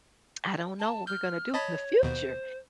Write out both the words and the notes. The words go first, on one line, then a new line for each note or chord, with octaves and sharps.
"I don't know what we're gonna do in the future."
A5
F6 G6
C#5 D#5 A5 B5
D#2 B2 C5